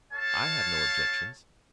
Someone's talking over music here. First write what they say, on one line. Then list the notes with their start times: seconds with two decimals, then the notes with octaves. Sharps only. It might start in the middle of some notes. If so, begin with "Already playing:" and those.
"I have no objections."
0.12 A4 C#5 F5 A5